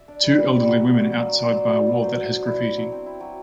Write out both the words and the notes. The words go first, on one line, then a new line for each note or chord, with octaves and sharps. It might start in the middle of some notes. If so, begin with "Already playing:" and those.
Two elderly woman outside by a wall that has graffiti.
Already playing: D5 E5
D4
G3
G3
G3
F#3 F#5
B3 E5
F#3 D5
F#3 E5
F#3
D5
F#3 C5
F#3 D5
F#3
B3
F#3 C5
F#3
D4
E4
E4
F#3
C4
E4
F#3